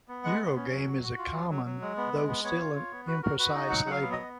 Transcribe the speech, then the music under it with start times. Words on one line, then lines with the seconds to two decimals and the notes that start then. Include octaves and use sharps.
Eurogame is a common, though still an imprecise, label.
0.08 B3
0.24 G#3 F#5
0.40 B3
0.56 C#4
0.71 F#3
0.87 F#4
1.03 F#4
1.18 F4
1.35 F#3
1.50 F#3
1.66 F#3
1.82 G#3
1.97 B3
2.13 G#3
2.28 B3
2.44 B3 C#5
2.60 F4
2.75 F4
2.92 B3
3.07 F#4 B4
3.23 F#4 A#4
3.38 F#4 B4
3.54 D#4 D#5
3.70 F#3 F#5
3.86 F#3 F#5
3.91 F5
4.02 B3
4.12 B3 D#5